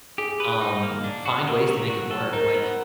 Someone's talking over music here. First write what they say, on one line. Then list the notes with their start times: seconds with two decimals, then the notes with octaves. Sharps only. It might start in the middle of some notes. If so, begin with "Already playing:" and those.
Um, find ways to make it work, like
0.18 G4 G#4
0.40 B4
0.61 D#4
0.83 A#3
1.04 D4
1.26 F#4
1.47 A3 A#4
1.69 F#3
1.90 F#4
2.11 A4
2.33 D#4 A#4
2.54 B3